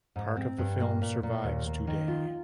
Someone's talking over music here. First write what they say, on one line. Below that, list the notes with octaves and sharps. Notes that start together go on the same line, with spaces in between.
Part of the film survives today.
G#2
C4
G2
A#3
A#2
A#2
D#2
A#3
D#3
F4